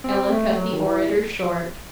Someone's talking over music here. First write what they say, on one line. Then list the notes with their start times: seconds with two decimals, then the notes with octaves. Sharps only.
Ella cut the orator short.
0.04 C4
0.30 A3
0.56 F#3
0.73 D#3
0.82 E3